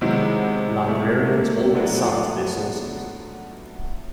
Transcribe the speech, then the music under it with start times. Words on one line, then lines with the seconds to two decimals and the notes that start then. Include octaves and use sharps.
Librarians always cite their sources.
0.01 C3 D#3 F#3 G#3 B3 E4
0.88 A3
1.32 A#3
1.69 A#3
1.75 F#3 A3 B3 D4
2.03 F3